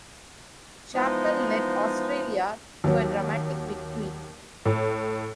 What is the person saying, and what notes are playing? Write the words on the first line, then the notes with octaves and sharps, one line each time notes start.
Chappell led Australia to a dramatic victory.
E3 F3 G#3 B3 D#4
D#2 F#3
A2